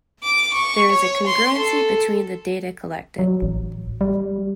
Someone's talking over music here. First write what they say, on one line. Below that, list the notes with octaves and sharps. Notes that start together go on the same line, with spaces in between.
There is a congruency between the data collected.
D6
C#6
C#5
C6
A4
F#3
A1
G3